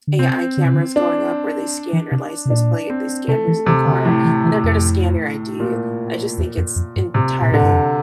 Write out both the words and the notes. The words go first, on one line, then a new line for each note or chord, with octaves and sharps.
AI cameras going up where they scan your license plate, they scan who's in the car, and they're gonna scan your ID. I just think it's entirely
D3
C3 C4
D3
C3
D3
D4
E3
C3
C3
A#2 D4
C4
C3 A3
E3
C3 E3
D3
A2 F3
E3
E3
F2
A#2
E2
F2
F2
G2
A2 C3
A#2
A2 D3
G2
F2